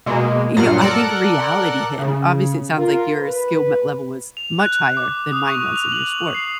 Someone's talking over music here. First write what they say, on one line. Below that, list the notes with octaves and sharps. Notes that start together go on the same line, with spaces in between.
you know, I think reality hit, and obviously, it sounds like your skill m level was much higher than mine was, in your sport
B2 G#3 A#3
G2 A#2 F#3 F4 F#5 F6
A4 A#4 D5 F#5 F#6
C#3
F4 A#4
B4
F7
F#6
D6
D#6
C#6
F7
F#7
C7